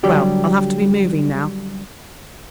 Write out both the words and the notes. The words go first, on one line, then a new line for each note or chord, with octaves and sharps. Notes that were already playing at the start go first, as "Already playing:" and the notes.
Well, I'll have to be moving now.
D3 F#3 G3 G4